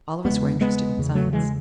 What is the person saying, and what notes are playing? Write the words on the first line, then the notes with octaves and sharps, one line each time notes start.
All of us were interested in science.
E2 C#3 G#3 B3
G#3 B3
E2 C#3
F#3 A3
E3 G#3